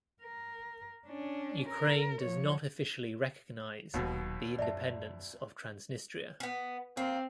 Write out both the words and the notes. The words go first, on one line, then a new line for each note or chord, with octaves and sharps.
Ukraine does not officially recognize the independence of Transnistria.
A#4
C#4 D4
A#4
F3 C#5
D#1 D#2 B2 F#3
F#2 D5 E5 A5
B3 C#4
A#3 C4